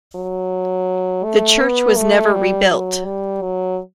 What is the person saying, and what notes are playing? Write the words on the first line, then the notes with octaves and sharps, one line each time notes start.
The church was never rebuilt.
F#3
A3
B3
A3
G3
F#3
G3
F#3